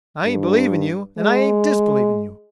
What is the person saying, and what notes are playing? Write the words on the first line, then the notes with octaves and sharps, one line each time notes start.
I ain't believing you and I ain't disbelieving you.
G2
G#3